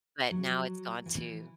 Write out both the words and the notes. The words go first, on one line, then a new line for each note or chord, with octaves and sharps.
but now it's gone to
F#3
E3